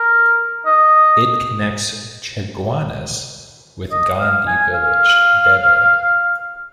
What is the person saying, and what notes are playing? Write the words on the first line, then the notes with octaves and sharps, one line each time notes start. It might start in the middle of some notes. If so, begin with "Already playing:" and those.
It connects Chaguanas with Ghandi Village, Debe.
Already playing: A#4
D#5
D#5
F5
G#5
F5